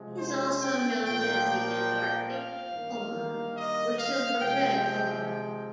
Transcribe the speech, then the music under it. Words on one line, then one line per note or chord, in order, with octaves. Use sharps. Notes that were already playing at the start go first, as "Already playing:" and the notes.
It is also known as the Antarctic fulmar or silver-grey fulmar.
Already playing: C3 F3 G#3
C5
G5
A#2 F3 A#3 G5
G5
F5
G2 D#3 A#3
D#5
F5
C3 F3 G#3 G5
G5